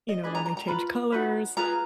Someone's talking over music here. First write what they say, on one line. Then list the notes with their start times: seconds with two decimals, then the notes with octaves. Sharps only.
you know, when they change colors
0.09 D#5
0.23 D4 G#4 B4 D#5
0.35 A#5
0.46 A#5
0.57 A#5
0.68 F4 B4 B5
1.12 D#4 F#4 B4
1.57 F4 G#4 B4 A#5